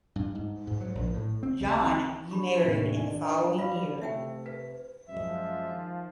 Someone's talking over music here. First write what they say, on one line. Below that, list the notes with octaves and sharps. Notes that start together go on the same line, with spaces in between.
John remarried in the following year.
G2
G#2
G#2
F#3
A#1
A2
C4
C#2
C4
D4 G4 B5 C#6
D#2 A2 C3
G#5
F#3 G3 F4 F5 B5
C3 A3 E5 F#5 G5
B4 B6
F#2 F3 G#3 E5
D#3